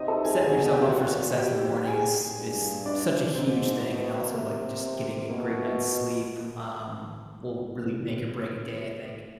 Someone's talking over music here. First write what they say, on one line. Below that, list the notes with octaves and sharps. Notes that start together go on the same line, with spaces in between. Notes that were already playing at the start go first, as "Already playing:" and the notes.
setting yourself up for success in the morning is is such a huge thing and also, like, just getting a great night's sleep, um, will really make or break a day, I think.
Already playing: C3 D#4 D#5
A4 A5
G#4 G#5
B2 G#4 G#5
G#4 G#5
G4 G5
A#2 F#4 F#5
G#2 G4 G5
G5
G#4 G#5
G2
D4 D5
G#2 C4 C5
B2
C3 A#3 A#4
B2 A#3 A#4